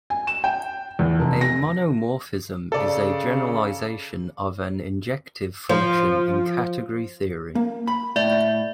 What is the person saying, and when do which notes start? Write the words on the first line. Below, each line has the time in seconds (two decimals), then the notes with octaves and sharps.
A monomorphism is a generalization of an injective function in category theory.
0.10 G#5
0.27 E7
0.44 G5
0.99 E2
1.19 F1
1.41 A#6
2.72 C#3 A4 D5
5.69 F3
7.55 A#3
7.87 B5
8.16 A2 D5 E5